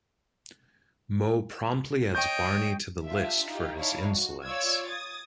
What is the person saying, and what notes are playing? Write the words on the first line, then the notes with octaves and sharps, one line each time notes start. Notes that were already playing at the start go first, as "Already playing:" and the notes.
Moe promptly adds Barney to the list for his insolence.
C#5 D#5 G5 D#6 G6 D7
D4 F4 G4 E5
D#4 F4 G4
D#4 E4 C#5 D5 F5 A5
F#4
F4 C#5 D5 E6 G#6
D#6 G#6 A6